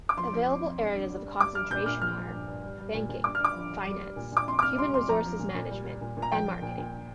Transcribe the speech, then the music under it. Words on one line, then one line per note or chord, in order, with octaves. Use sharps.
Available areas of concentration are: banking, finance, human resources management, and marketing.
D6
F3 C6
F3
F2
F2
G2
D3
G3
G2
G3 D6
G3 F6
A#2 G6
A#2 F6
F3 F6
F3
G2
G2
G3
G3
A#2
A#2
G2 D6
D3 F6
D6
F3
G2
G3
G3
A#2
A#2 D6
F2 C6
D6
C3 F6
G3 C6
F2 C6
F3 A#5
F3
A#2
A#2
G3
G3
A#2
A#2
A#5
F3 G5
F3
A#2
A#2